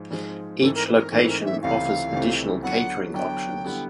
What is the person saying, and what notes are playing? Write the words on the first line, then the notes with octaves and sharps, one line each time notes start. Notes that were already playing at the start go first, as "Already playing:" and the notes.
Each location offers additional catering options.
Already playing: G#2 F3 G#3
G#2 F3 G#3
G#2 E3 A3 C4 A4
A#4
B4
A4
A#4
G#2 E3 A3 C4 A4
B4
A#4
D#5
E5
C#2 C3 E3 A3 C4 F5
C#2 C3 E3 A3 C4
D3 F#3 B3 F#5
D3 F#3 B3 G5
D3 G3 B3 E4